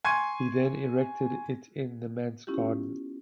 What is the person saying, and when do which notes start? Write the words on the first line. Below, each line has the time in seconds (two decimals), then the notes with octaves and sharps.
He then erected it in the manse garden.
0.04 G#5 C6 C#6 G#6 D#7
2.47 B3 C#4 E4 F4 G4